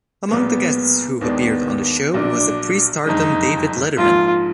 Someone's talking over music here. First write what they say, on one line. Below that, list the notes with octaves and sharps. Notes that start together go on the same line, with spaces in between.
Among the guests who appeared on the show was a pre-stardom David Letterman.
B1 A#2 G#3 B3
D#2 D#3 G#3 B3 D4
A#1 A#2 F#3 D4
F#1 F2 D3 G#3 D#4
A#1 G#2 F3 A#3 F4